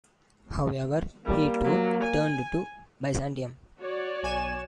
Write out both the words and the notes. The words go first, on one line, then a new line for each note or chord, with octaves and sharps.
However, he too turned to Byzantium.
G3 A#3
F#3
G#5
F#4 C#5 D5
B1 G#5 E7